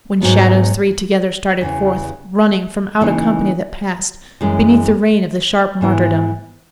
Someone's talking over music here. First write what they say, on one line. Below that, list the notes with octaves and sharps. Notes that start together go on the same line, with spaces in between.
When shadows three together started forth, Running, from out a company that passed Beneath the rain of the sharp martyrdom.
G#2 F#3 B3
E2 C#3 E3
C#3 E3 A#3 D#4
F#2 E3 G#3
G#2 E3 B3 E4